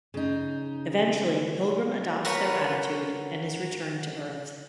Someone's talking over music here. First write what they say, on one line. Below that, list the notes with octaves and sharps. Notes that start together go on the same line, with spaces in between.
Eventually Pilgrim adopts their attitude and is returned to Earth.
C#3 D#4
F#4 A#4 B4 C#5